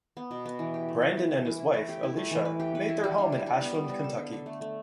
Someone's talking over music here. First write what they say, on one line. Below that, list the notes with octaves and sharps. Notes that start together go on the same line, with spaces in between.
Brandon and his wife, Alicia, make their home in Ashland, Kentucky.
B3
B2
B3
E3
G4
A3
B4
B4
E3
E3
E4
A3
G4
E4
A3
E3
B4
G4
B4
E4
G3
D4
G3
G3
B3
G3
G3
A4
D3
D3
A3
A3